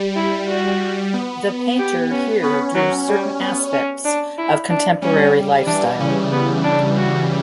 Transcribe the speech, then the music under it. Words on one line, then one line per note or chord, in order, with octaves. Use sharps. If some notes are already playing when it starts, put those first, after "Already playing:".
The painter here drew certain aspects of contemporary lifestyle.
Already playing: G3
E4
F#4
B3
G4
C#4
B3 C#4
F#3
G3
B3
C#4
D4
E4
D4
G3 C#4
E3 D4
C#3 C#4
B3
D4
F#4